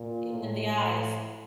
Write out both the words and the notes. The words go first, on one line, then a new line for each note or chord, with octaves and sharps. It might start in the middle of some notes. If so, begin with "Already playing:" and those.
I In the eyes.
Already playing: A#2
A2